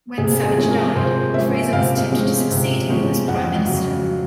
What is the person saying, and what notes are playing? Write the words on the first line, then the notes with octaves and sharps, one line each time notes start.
When Savage died, Fraser was tipped to succeed him as Prime Minister.
C3 G#4
G#4
F3 G#3 C#4
A#4
C3 C5
F3 G#3 C#4 E5
C3 F5
F3 G#3 C#4
C3
F3 G#3 C#4
F2 F#5
C#3 F#3